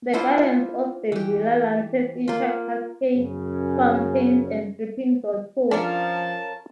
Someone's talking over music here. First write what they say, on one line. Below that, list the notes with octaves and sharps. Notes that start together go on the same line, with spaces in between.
The gardens of the Villa Lante feature cascades, fountains and dripping grottoes.
D4 E4 F4 C5
E3 G4
A#3 F4
F#2 C#3
F3 C#4 D4 F4 A#4 A5